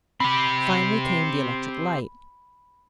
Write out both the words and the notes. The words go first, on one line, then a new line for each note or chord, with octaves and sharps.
Finally came the electric light.
C4 G4 B5